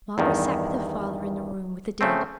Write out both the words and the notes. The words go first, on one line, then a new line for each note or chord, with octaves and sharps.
Margaret sate with her father in the room with the dead.
E2 G2 D#3
C#3 A3 C4